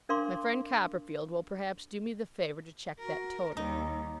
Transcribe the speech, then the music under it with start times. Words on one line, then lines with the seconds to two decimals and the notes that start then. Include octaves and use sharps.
My friend Copperfield will perhaps do me the favour to check that total?'
0.09 D4 A#4 F5 C6 D6
2.99 F#4 A#4
3.57 D#2 G3 D#4